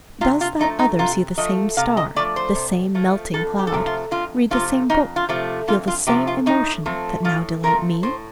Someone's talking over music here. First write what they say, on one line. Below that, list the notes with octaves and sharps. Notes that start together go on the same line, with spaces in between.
Does that other see the same star, the same melting cloud, read the same book, feel the same emotion, that now delight me?
C3 F4
F4
F3 A3 D#4
D#4
C3 F4
F3 A3 D#5
C3 F5
D#5
F3 A3 D5
C5
C3
F3 A3
F2 A4
G4
A4
C3 F3 A3 G4
F4
F2 F4
C3 F3 A3 F4
F2 D#4
F4
C3 F3 A3
F2 F4
F4
C3 F3 A3 G4
F4
A2 D#4
F3 A3 C4
A2 F4
F3 A3 C4 A#4
A2 C5